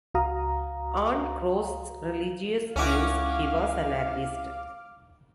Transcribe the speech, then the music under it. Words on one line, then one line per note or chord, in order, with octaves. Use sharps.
On Grosch's religious views, he was an atheist.
C#2 F#4 F5 A#5 D#6
C#2 C#4 E4 F#4 F5 D6 F6